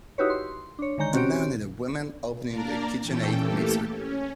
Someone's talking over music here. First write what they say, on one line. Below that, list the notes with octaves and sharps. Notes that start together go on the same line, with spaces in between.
A man and a woman opening a KitchenAid mixer.
D#4 E4 F#4 G4 B4 C#5
C6
D4 C#5
D3 D#3 G#3 C#5 A#5 G6
C4 C#4 F#4 G4 C#5 D7
A#3 D4 A#4 D5
A#2 E3 C#4 A4 G5
E3 A3 A#3 G4 A4
C#4